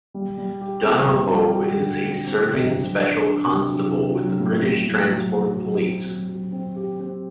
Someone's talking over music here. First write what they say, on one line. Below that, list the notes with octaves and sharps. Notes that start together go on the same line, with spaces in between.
Donohoe is a serving Special Constable with the British Transport Police.
G3
G3
G4
C4
G3
G3
F#4
D3
F#4
C4
D3
F#3
D4
D4
C3
F#3
C3
F#3
A2
F#3
A2
F#3
A2
F#3
C4
F#3
F#3
C4
G4
C4